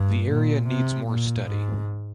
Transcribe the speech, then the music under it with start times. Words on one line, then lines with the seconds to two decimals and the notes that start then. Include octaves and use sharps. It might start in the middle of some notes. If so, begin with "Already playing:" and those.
The area needs more study.
Already playing: G2
0.27 A#2
0.67 C3
1.07 A#2
1.47 G#2